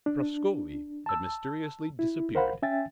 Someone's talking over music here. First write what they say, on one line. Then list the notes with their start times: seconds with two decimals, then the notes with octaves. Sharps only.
Prascovie had mysteriously disappeared!
0.06 D4
1.06 A5 E6
1.99 E4
2.35 A#4 C5 F5 F#5 B5
2.62 C#4 E5 G5 G#5 A6